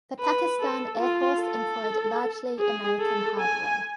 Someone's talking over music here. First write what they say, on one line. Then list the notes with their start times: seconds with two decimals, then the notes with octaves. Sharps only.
The Pakistan Air Force employed largely American hardware.
0.20 B4
0.60 A4
1.00 F4
1.40 A4
2.60 G#4
3.00 A4
3.40 G#5